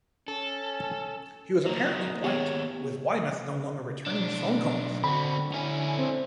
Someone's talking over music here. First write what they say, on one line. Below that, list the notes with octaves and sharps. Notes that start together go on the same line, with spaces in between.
He was apparently blanked, with Weymouth no longer returning his phone calls.
C#4 A4
F#3 A#3 D#4
D#3 A#3 B3 G4 G#4 C#5
B1 D4
D3 C4 F#4 B5
C#4 E4 G#5
C4